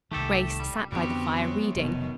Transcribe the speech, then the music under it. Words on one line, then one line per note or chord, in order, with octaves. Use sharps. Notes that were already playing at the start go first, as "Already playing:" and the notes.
Grace sat by the fire reading.
C2 D#3 A3 G4 A4
G3
F2 D3 G3 B3 C4 F#4 G4
F#2
F1 B2 D#3